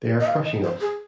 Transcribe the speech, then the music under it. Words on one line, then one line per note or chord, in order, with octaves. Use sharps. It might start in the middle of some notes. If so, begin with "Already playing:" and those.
They are crushing us.
D#5
F5
D#5
C5
G#4